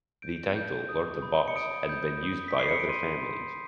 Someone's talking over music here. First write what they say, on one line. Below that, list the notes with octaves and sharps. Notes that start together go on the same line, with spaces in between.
The title "Lord of Baux" had been used by other families.
G6 D7
G6
D#6
B5
C#7
D#6 D7
G6
D#6
B6
B5 C7
C#7
D7
C6 D#7
C6